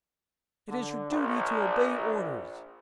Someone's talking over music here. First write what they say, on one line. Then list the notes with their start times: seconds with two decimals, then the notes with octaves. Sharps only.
"It is your duty to obey orders."
0.68 D3
1.11 A#1